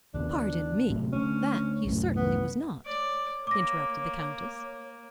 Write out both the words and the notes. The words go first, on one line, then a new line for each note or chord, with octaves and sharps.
"Pardon me, that he certainly was not," interrupted the Countess.
D#2 C#3 B3 D4
A2 C3 F#3
D2 C#4
C2 F#2 A2
B3
C#5 D5
A#3 D6 A#6